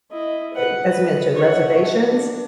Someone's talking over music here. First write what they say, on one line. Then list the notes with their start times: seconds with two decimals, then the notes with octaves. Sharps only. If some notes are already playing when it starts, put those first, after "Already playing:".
uh, as you mentioned, reservations.
0.11 E4 D#5
0.56 B4 F#5
0.89 B4
1.36 C#5 F#5
1.79 A4
2.11 D4